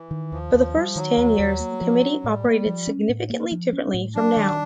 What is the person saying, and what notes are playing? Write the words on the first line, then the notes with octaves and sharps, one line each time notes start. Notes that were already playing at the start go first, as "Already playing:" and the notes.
For the first ten years the committee operated significantly differently from now.
Already playing: E3
D#3
D#2 F3
D#2
G3
D#3 F#3
D#2
D#2
A#3
F3
C#4
A2 G3
A#3
F3
C#4
A2
A#3
F3
C#4
A2
F#3 D4
D#3